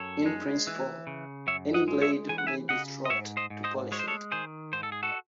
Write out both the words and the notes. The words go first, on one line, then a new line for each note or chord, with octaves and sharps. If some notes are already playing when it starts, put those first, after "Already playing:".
In principle, any blade may be stropped to polish it.
Already playing: F#2 A4 C#5
G#3
E3
C#3
F#2 C#5 E5
D#5 F#5
G#3
C#5 E5
E3 G#5
F#5
E5 G#5
C#3 D#5 F#5
D#5
G#2 C#5 E5
C5 D#5
G#2
C5 D#5
G#3 C#5
C5
A4 C#5
D#3 G#4 C5
G#2 C5
A4
G#4
F#4 A4